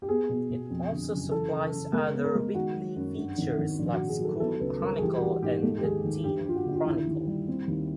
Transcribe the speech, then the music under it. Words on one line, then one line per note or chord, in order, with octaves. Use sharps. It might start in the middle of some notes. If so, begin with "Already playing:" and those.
It also supplies other weekly features like "School Chronicle" and "Teen Chronicle".
G4
B3 G#4
B2
B2
F2
D3
F#1
E3 A4
C#3
C#3
G#3 A#4
B3
A#4
G#3
D#3 F#4
F#3
F#2
G2
G#1
G#1
A#1
F#4
A#1
G#4
F#3 A4
B3 A4
C#2 B4
G3 A#4
G#4
E3 G4
F#4
E3 G4
G#2 G4
G#3 A4
G4
D#2 G#4
D#2
G2 G4
G2 F4
F#4
D3
F4
D#2 E4
D#2
G3
C4
D#2